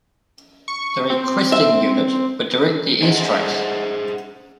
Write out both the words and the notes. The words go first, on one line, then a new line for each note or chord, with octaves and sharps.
The requesting unit would direct the air strikes.
C#6
C4
E5
G#4 C5 D#5 E5 F#5